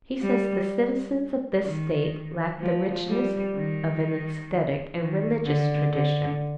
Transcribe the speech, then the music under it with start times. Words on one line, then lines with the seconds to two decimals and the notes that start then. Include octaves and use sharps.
He says the citizens of this state lack the richness of an aesthetic and religious tradition.
0.22 G3
1.65 D#3
2.60 F3
3.08 G3
3.55 D#3
4.97 D#3
5.45 D3
5.93 D3